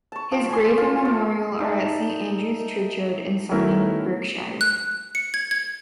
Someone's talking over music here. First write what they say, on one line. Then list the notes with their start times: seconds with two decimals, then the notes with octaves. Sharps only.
His grave and memorial are at Saint Andrew's churchyard in Sonning, Berkshire.
0.12 A5 C#6
0.32 F3
0.48 C#5 G#5 C6
0.78 F4
1.02 C#4 F4
1.60 D#4 D5 E5 A5
3.51 D#3 A3 B3 C#4 E4 A#4
4.61 F#6
5.15 C#7
5.34 G#6
5.51 G#6